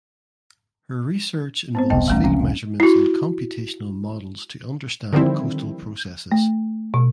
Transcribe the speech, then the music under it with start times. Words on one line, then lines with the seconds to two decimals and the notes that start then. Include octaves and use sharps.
Her research involves field measurements and computational models to understand coastal processes.
1.75 B3 C4 C5
1.90 E1 C2 A2 B3 D#5 G5
2.08 D1 B1 E3 G3 A3 C#4
2.24 F1 C#2 C4 C#4
2.80 E4 F#4
5.13 D3 D#3 F3 G3 C4 E4
6.32 A3
6.94 B2